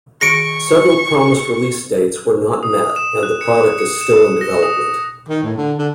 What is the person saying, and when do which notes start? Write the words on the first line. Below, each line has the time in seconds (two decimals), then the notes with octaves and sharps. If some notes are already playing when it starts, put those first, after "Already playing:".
Several promised release dates were not met and the product is still in development.
0.21 D#3 G#4 C#6 A#6 C#7 D7
2.63 D#6
2.96 E7
3.23 F#6
3.41 C#7
3.79 C#7
4.01 E7
4.41 A#6
4.63 D#6
5.29 D#3
5.44 A2
5.58 D3
5.79 D3